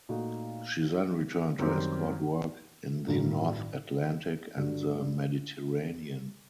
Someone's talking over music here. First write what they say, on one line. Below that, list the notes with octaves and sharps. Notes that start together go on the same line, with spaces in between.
She then returned to escort work in the North Atlantic and the Mediterranean.
A#2 A3 D#4 F#4
F#2 D#3 G3 C4 G4
A1 G2 D#3 F#3
G2 D3 G3 D4 F#4